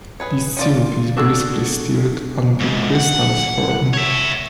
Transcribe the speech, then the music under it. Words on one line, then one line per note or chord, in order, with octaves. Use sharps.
This syrup is briskly stirred until crystals form.
G#4 B4 C#5
C#4 F4 D5
D4 F#4 G#4 A4
C#2 G#2
F#5
C#5 E5